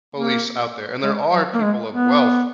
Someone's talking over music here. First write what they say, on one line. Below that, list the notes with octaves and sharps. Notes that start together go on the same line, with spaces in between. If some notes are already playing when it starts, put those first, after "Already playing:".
police out there, and there are people of wealth
A#3
G#3
F#3
A#3
G#3
B3